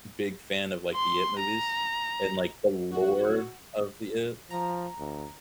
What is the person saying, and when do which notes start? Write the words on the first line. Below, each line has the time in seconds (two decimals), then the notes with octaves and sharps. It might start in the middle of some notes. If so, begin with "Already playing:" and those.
big fan of, like, the It movies and, like, the lore of the It.
0.95 C6
1.40 A#5
2.91 F#4
4.50 F3 A#5
4.98 D2